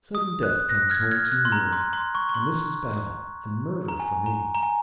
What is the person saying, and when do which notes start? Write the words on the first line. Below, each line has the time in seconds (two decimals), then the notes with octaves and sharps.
Sudden death comes home too nearly, and this is battle and murder for me.'
0.15 D#6
0.43 F#6
0.69 F#6 A#6
0.90 F6 G#6
1.11 F6 G#6
1.32 F#6
1.45 C6
1.52 A#5
1.73 C6
1.93 C6
2.15 C#6
2.29 C#6
2.34 C6
3.88 A#5
4.00 G#5
4.26 A#5
4.55 A#5
4.63 G#5